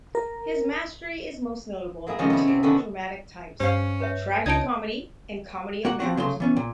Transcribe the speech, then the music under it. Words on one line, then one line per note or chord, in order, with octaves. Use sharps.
His mastery is most notable in two dramatic types, tragicomedy and comedy of manners.
A#4
F#3 A#3 E4 G#4
C3 D#3 F3 C#4 D#5 F5
B3 E4
C3
D3 D#3 B3 C#4 F#4 A4
G2 C#4 C5 F5
B4 C#5 E5
C#2 D4 D#4 C#5 A5 G#6 D7
A#3 F#4 F#5
F3 C4 F#4
C#3 F#3 A3 C6
E3 B3 C#4
A#2